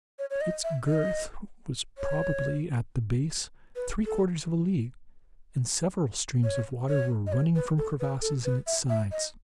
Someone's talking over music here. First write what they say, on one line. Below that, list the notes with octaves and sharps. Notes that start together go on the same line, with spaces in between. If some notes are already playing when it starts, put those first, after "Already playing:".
Its girth was probably, at the base, three-quarters of a league, and several streams of water were running from crevices in its sides.
C#5
C#5
D#5
E5
D#5
C#5
B4
A4
C#5
C#5
D#5
C#5
B4
A4
B4
A4
B4
E5
E5
D#5